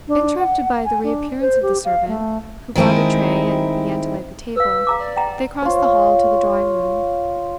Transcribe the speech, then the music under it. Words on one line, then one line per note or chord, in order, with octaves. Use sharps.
Interrupted by the reappearance of the servant, who brought a tray and began to lay the table, they crossed the hall to the drawing-room.
D4
F#5
G#5
D4
C5
G4
F5
A3
D#3 G#3 C4 D#4 E4
B4 F5 E6
F5 A#5 D6
D5
F#5 G5 A#5
F4 C#5